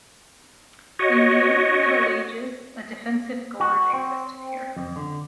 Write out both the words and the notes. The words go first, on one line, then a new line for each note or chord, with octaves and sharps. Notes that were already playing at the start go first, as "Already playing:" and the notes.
In the early Middle Ages, a defensive gord existed here.
F#4 C#5 D#5
F#4
C4
F2
D3